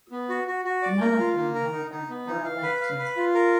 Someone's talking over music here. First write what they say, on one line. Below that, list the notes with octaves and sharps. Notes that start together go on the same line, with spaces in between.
None of them however were elected.
B3
F#4
F#4
F#4
D5
A#4
F4
A#3
A#4
D#4
D#4
B3
D#4
F5
B4
F5
B4
F4
A#4